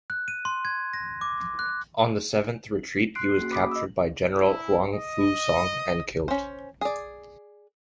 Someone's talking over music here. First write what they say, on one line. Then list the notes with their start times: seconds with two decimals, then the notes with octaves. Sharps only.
On the seventh retreat he was captured by general Huangfu Song and killed.
0.10 F#6
0.28 D#7
0.45 C6
0.65 G#6
0.93 A#6
1.21 D6
1.59 F#6
3.15 C6 F#6 C7 D7
3.37 A#3 C#4 F#4 G#4
3.51 B5 D6 D#6 B6 D7
3.72 D#5 E6
4.35 E4
4.94 D#5
6.28 C#4 C5
6.81 G#4 D5